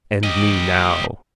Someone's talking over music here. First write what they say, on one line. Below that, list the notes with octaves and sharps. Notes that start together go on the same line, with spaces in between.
And me now.
G4 D#5